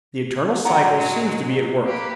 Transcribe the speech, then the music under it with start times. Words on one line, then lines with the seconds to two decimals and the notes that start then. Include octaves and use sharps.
The eternal cycle seems to be at work.
0.65 A2 D3 F#3 G#3 F#5 A#5
1.83 A#3 G4 B4